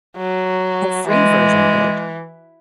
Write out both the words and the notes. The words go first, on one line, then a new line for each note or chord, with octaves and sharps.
The free version did,
F#3
E3 G#3